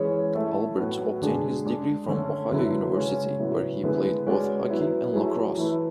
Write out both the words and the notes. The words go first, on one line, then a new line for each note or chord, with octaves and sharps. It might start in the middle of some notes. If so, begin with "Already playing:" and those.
Albert obtained his degree from Ohio University where he played both hockey and lacrosse.
Already playing: E3 G#3 C#4 G#4 C#5
A3 E4 A4 C#5 E5
A2 F#3 B3 F#4 B4
D3 G#3 D4 G#4
G#3 D4 G#4
D3 A3 C#4
D3 F#3 B3 E4 B4
C#3 G#3 C#4
A2 F#3 B3 E4
D3 G#3 B3 E4 B4
G#3 C#4 F#4 B4 D5
F#3 B3 E4 B4
F#3 A3 E4 G#4
E3 A3 E4 B4